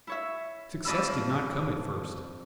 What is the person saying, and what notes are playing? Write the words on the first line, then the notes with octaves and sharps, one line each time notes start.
Success did not come at first.
E4 C#5 E5
F2 D5 D#5 B5 E6